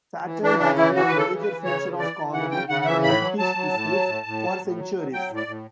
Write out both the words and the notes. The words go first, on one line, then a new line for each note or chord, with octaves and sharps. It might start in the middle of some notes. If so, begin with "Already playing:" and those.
Satire has been a major feature of comedy in the British isles for centuries.
E3
E3 D4
C#3 D4
E3 E4
E3 F#4
C#3 B4
A4
E3
B4
E3
C#3 C#5
E3
E3 D5
E3
C#3 F#5
C#3 G5
C#3 F#5
F#5
E3 E5
A2 B5
F#3
F#3 A5
F#3
A2
F#3
A2
A2
F#3
A2
F#3
F#3
F#3 G5
A2
D5
A2